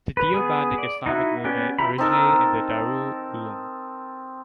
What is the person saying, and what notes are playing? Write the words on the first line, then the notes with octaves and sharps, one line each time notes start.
The Deobandi Islamic movement originated in the Darul Uloom.
B4
B3 G#4
D5
D#4 E4 F#4
B3 C#4 G4 D5 G#5
E4 F4 G4 A#5 B5
C4 D#4 A4 A#4